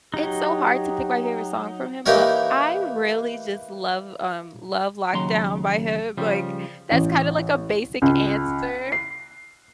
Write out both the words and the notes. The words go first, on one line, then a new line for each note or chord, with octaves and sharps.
it's so hard to pick my favorite song from him, but I really just love, um, Love Lockdown by him, like that's kind of like a basic answer.
F#3 D#4 G4
E3 A#3 D#4 G4 A#4 C#5
D#2 C#3 F#3 A#5 C6
C#3 F3 G3
A1
C#2
C7